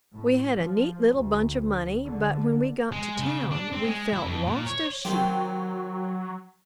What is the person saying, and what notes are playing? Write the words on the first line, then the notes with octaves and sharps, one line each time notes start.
We had a neat little bunch of money, but when we got to town we felt lost as sheep.
A2
F3
D2
D3
G#3
C#3
D4
C4
G#3
E4
F2
A#2
C#5
D#3 F#3 C4 G4